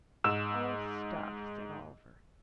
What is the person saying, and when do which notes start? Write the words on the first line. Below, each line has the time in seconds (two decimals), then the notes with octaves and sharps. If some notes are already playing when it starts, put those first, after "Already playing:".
"Oh, stuff!" said Oliver.
0.24 G#2 E6 E7